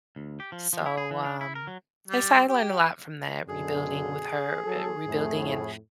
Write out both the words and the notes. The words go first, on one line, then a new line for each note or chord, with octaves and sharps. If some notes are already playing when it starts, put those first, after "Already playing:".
So, um, yes, I learned a lot from that, rebuilding with her, uh, rebuilding and
D2
G4
F3
F3
E4
G#4
E3
D4
E4
A#4
F#3
G3
G4
F#2 B2 D3 G#4
F#3 A4
F2 A2